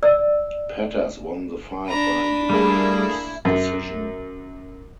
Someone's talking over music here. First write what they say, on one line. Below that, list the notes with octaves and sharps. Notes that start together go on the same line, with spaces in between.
Pettas won the fight by unanimous decision.
D5 E6
D4 A#5 B5
G3 A3 A#3 E4 G#4 E5
F#2